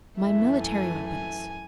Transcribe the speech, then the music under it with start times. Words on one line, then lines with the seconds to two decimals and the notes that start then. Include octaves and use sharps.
"My military weapons."
0.18 F#2 E3 A3 E5
0.62 G#5
1.07 G#5